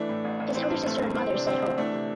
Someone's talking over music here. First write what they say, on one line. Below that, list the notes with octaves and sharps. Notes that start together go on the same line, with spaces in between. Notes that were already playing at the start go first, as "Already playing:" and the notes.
His elder sister and mother stay at home.
Already playing: E3 A3 D4
A2
A1
A1
E3 C4
G2
G1 A3
G1
E3 C4
C3 D4
D2 C4
D2
E3 A3 D4
C3